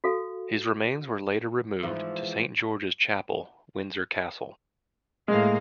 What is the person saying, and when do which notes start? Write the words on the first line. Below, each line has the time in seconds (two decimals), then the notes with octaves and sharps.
His remains were later removed to Saint George's Chapel, Windsor Castle.
0.04 F#4 A4 F5
1.83 G#2 E3 F3
5.28 A2 G#3 A#3 F5